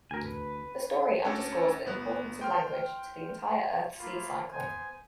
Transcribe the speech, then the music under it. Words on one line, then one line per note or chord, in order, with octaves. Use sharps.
The story underscores the importance of language to the entire Earthsea cycle.
D2 A#4 G#5
B4
D2 C#4 D4 A4 A#4 C#5
G1 B3 F#6
G5 C6 F6
A3 A#3 F4 B5
B3 C5 G#5